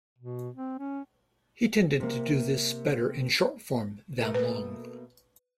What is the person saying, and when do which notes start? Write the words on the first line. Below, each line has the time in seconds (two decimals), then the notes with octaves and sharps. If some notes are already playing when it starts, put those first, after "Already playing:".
He tended to do this better in short form than long.
0.19 B2
0.55 C4
0.79 C#4
2.00 C3 A#3
4.21 B2 A3 A#3
4.35 B4